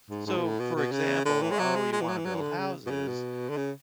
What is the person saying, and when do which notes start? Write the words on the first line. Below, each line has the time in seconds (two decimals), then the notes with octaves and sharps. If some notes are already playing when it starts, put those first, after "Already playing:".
So, for example, "Oh, you wanna build houses,
0.10 G#2
0.26 G#2
0.37 B2
0.43 A2
0.59 B2
0.76 B2
0.92 C#3
1.25 D3
1.43 E3
1.51 G#3
1.59 F#3
1.76 G#3
1.92 G#3
2.01 E3
2.09 F#3
2.17 E3
2.25 F#3
2.35 E3
2.41 D3
2.58 C#3
2.86 B2
2.91 C#3
3.08 B2
3.49 D3
3.57 C#3